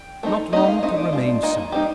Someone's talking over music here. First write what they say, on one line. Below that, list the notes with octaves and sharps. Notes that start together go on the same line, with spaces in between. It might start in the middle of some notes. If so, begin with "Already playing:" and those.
Not long to remain so.
Already playing: G5
A3 C4 D#4
A3 C4 D#4 D#5
F5
A3 C4 D#4 D#5
D5
G3 D4 F4
D#3 A#3 D#4
G3 C4 D#4 G4